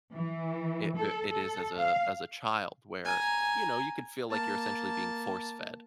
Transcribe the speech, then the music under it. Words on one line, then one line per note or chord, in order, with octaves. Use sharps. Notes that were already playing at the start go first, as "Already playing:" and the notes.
it it is as a as a child, where, you know, you could feel like you're essentially being force-fed
E3
A4
A4
F5
G#5 A#5
A#3 A5